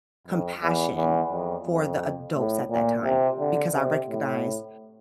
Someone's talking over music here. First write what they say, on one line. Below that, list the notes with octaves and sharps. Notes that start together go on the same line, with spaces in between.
compassion for the adults at that time because I recognized,
F2
E2
E2
F2
F2
A2
A#2
C3
D3
C3
A2